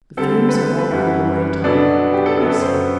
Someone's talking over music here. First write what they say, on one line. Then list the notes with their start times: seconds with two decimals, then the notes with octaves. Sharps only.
"The fumes have all cleared away, Tom," he said.
0.17 D3 G3 C4 A4
0.49 B4
0.54 A4
0.66 B4
0.78 B4
0.91 F#2 E3 G3
1.64 B2 F#3 B3 D4 A4
2.13 G4
2.26 A4
2.37 F#2 F#3 B3 A4
2.50 A4
2.62 C5